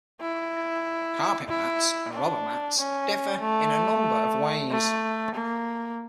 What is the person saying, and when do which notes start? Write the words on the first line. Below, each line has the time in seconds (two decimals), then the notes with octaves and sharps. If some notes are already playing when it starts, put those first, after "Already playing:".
Carpet mats and rubber mats differ in a number of ways.
0.21 E4
1.49 E4
2.13 D4
2.78 C#4
3.42 A3
4.71 A3
5.35 A#3